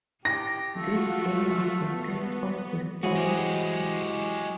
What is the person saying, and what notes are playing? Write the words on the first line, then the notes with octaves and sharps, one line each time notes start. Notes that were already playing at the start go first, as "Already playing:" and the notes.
This game was the third of the series.
G4 A#6
A3 F4 F#4
B3
E3 F#3 E4 F#4 G#4 C5
G#3 G4